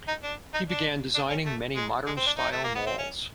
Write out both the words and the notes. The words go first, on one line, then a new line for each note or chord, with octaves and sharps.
He began designing many modern-style malls.
D#4
D4
D#4
D4
D4
C#4
A3
G#3
G#3
C4
D4
D#4
A3
A#3
B3
C4
C#4